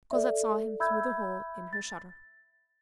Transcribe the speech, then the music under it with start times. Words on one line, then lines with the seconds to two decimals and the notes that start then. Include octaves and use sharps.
Cosette saw him through the hole in her shutter.
0.11 A4 D5 E5
0.80 E5 B5 E6 G6 G#6
1.73 A6